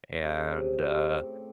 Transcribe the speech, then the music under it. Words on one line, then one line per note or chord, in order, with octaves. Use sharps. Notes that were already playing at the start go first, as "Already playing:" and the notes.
and, uh,
C#3
C3
C3
A2